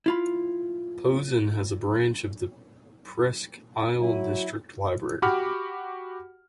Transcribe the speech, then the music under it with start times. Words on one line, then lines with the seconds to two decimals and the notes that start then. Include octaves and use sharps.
Posen has a branch of the Presque Isle District Library.
0.06 E4 F4 B5
4.01 F#3 E4
5.22 F#4 G4 F#5 B5 D6 F6